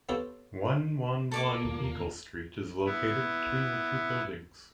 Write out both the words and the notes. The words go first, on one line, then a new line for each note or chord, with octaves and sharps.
One One One Eagle Street is located between the two buildings.
B3 C4 F4 G4 A4 C#5
A#3 A4 D5 D6
E1 D#2 A#2 B3
B3 E4